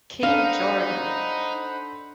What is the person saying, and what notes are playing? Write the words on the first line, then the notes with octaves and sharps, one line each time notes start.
King Jordan.
D4 D#4 A4 C5 F5 F#5 B5